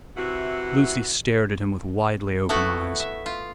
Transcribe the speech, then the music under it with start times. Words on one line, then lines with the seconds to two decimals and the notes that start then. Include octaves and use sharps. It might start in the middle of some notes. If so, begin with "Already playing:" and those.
Lucy stared at him with widely-open eyes.
0.17 C3 E3 E4 F#4
2.49 A3 B3 E4 F#4 F#5
3.00 E5
3.26 F4